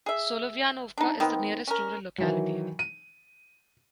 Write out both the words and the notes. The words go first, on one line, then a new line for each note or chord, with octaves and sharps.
Solovyanovka is the nearest rural locality.
G#4 E5
D4 D#4
D#3 B3 C4
C#4 A#4
D#3 E3 F#3
D#7